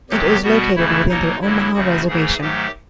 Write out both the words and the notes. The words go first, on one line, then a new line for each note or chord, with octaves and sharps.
It is located within the Omaha Reservation.
E2 C3 D#3 F#3 G4
B2 G3 B3 F#4
F2 C#3 E3 A3 E4
B2 F#3 A#3 D#4
G2 D3 F#3 A#3 E4
F#2 C#3 F3 A3 F#4
G#2 E3 A3 G#4
G#2 D#3 F#3 A3 G4